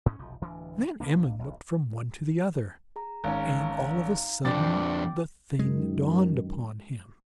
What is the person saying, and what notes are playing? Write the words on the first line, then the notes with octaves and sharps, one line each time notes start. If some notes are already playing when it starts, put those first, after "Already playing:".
Van Emmon looked from one to the other, and all of a sudden the thing dawned upon him.
G#2 C#4
F1 B1 F3
D1 D2 E3 D4
B1 B2 A#3 D4
D1 B1
G#4 A#5
G#1 C#4 F5 A#5
F2 D4 G5 D6 A6
F#2 D#3 G#3